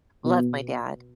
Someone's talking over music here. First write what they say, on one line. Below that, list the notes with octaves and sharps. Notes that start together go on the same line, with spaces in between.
love my dad-
B2